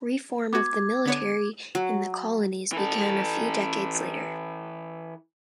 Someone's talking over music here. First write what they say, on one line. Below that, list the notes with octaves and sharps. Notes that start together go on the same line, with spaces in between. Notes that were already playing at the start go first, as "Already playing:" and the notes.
Reform of the military in the colonies began a few decades later.
B3 F#4 D6 G#6
D3 B3 C#5
F#3
E3 A4